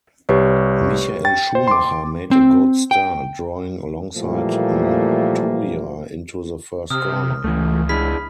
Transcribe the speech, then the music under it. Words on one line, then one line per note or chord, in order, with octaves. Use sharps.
Michael Schumacher made a good start, drawing alongside Montoya into the first corner.
C2 G4 B4 C#5
G5 A6
C5
C6 D6
C4
G5
A#2 E3 F3 G3 A3 A#3
C3 D#6 F6
C#2 E3 A3
D4 E4 G#4 B5 F6 B6